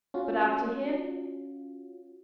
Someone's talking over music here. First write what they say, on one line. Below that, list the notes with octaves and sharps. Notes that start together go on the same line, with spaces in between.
But after him?'
C#4 F4 F#4